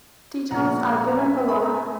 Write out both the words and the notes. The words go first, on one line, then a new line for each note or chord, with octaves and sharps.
Details are given below.
A#1 A#2 G#3 B3 F#5 A#5
A#5
E5 G#5
B5
A#5
G#5